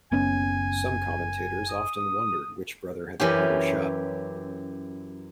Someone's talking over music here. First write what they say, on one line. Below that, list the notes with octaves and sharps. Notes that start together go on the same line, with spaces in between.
Some commentators often wondered which brother had the harder shot.
F#1 B3 C#4 G#5
D#6
F#2 E3 C#4 G4